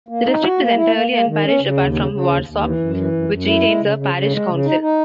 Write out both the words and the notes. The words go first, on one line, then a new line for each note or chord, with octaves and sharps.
The district is entirely unparished apart from Warsop, which retains a parish council.
A#3
D#4
F#4
A#3
E4
A#3
A#3
D#3
C#4
C#3
D#2
C#3
C#3
D#2
D#2
E3
F#2
E3
F#2
F#2
E4
G#3
C#3
C#3
C#3
G#3
C#3
D#4
D#4